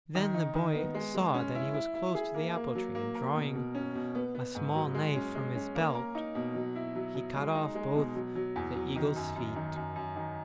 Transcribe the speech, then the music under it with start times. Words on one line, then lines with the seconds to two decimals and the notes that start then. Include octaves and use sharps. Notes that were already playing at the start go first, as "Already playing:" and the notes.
Then the boy saw that he was close to the apple-tree, and drawing a small knife from his belt, he cut off both the eagle's feet.
0.15 D#3
0.34 D#4
0.55 D#3
0.74 B3
0.94 G#3
1.15 G#3
1.34 C#4
1.55 E4
1.74 E4
1.95 E4
2.15 G#4
2.34 A#3
2.55 A#3
2.75 F#3
2.95 A#3
3.15 A#4
3.35 B2
3.55 B2
3.75 C#4
3.95 B2
4.15 B3
4.35 B3
4.55 G#2
4.75 F#3
4.94 G#3
5.15 C#4
5.35 G#3
5.55 C#4
5.75 A#3
5.95 A#4
6.15 D#4
6.35 B2
6.55 F#3
6.75 E4
6.95 F#3
7.15 F#3
7.35 G#3
7.55 D#4
7.75 G#3
7.95 B2
8.15 F#3
8.35 F#3
8.56 E2
8.75 F#3
8.96 D#3
9.16 F#2
9.36 F#2
9.56 D#3
9.76 F#2
9.96 F#2
10.16 D#3